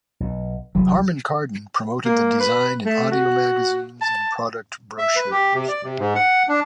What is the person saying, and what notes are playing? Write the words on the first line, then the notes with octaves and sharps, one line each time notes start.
Harman Kardon promoted the design in audio magazines and product brochures.
B1
G1 C2 E3 F#3
A#3
B4
A3
F#4
A5
E5
B4
G4
C3
D5
C3
G#2
F#5
D4